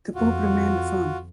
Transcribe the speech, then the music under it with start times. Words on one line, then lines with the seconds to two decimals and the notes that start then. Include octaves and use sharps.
The Pope remained firm.
0.15 F2 F4 F#4